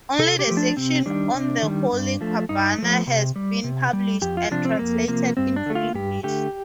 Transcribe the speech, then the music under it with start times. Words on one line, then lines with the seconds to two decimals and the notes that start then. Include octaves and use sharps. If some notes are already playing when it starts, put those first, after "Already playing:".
Only the section on the Holy Qurbana has been published and translated into English.
0.19 C3 A4
0.39 G4
0.47 F3 A3
0.57 D4
0.77 C3 C4
1.06 D#3 G3 D4
1.34 C3
1.63 D#3 G3
1.92 G2
2.21 F3 A3
2.49 G2 D#4
2.78 F3 A3
3.07 C3
3.36 G3
3.64 C3
3.93 G3
4.22 F2 G4
4.37 F4
4.51 C3 F3 D4
4.65 C4
4.79 F2 A#3
5.08 C3 F3 A#3
5.37 G2 C4
5.56 D4
5.66 D3 A3
5.75 F4
5.94 G2 G4
6.23 D3 A3 G4